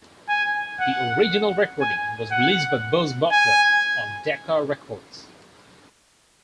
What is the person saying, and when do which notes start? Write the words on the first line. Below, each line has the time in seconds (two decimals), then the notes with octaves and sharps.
The original recording was released by Buz Butler on Decca records.
0.29 G#5
0.80 F#5
1.81 G#5
2.31 F#5
3.32 G#5